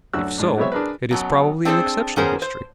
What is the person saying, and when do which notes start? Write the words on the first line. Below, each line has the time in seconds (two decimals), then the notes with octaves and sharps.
If so, it is probably an exceptional history.
0.13 D2 D3 F#3 F#4 E6 F#6
0.38 G#2 D4
0.58 F#3 G#3 B3 C4 C#5 E5
0.72 D4 G#4 A#4 B4
1.11 F#2 B2 F#3
1.65 C4 D4 G#4 A4 C5
2.16 D#3 B3 C#4 G#4 A#4 C5
2.42 C5